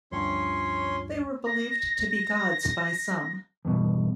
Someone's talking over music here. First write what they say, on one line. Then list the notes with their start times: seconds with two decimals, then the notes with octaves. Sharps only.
They were believed to be gods by some.
0.12 D2 G2 F3 C#4 C#5 C6
1.46 A#6
3.65 E2 G2 B2